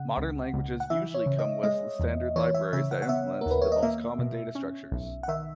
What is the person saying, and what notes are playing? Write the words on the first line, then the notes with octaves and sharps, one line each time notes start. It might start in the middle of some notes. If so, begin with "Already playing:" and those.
Modern languages usually come with standard libraries that implement the most common data structures.
Already playing: C#3 F#5
C#2
C#2
F#5
E3 E5
C#5
C#3
D#5
G#3 D#5
E2
E3 C#5
E5
C#3 E5
F#5
F#5
B3 E5
D#2 A#4
B4
C#5
D#5
A#3 E5
B2
C#4
B1
F#5
D#3 E5